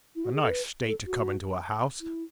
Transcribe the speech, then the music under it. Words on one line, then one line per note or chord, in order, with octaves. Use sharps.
A nice state to come into a house!
E4
F#4
G#4
A4
B4
A4
F#4
E4